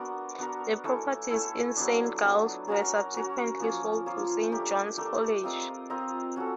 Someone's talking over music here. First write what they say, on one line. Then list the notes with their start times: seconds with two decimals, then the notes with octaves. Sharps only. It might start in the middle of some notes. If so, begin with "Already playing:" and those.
The properties in Saint Giles's were subsequently sold to Saint John's College.
Already playing: B3 D4 F#4 A#4
0.38 B3 D4 F#4 A#4
0.84 A3 C#4 E4 A4
1.30 A3 C#4 E4 A4
1.76 F#3 B3 D4
2.22 F#3 B3 D4
2.68 C#4 F#4 A#4
3.14 C#4 F#4 A#4
3.60 F3 A#3 C#4 F4
4.06 F3 A#3 C#4 F4
4.52 A3 D4 G4 A#4
4.97 A3 D4 G4 A#4
5.43 C4 F4 A#4 D#5
5.90 C4 F4 A#4 D#5
6.36 C#4 F#4 A4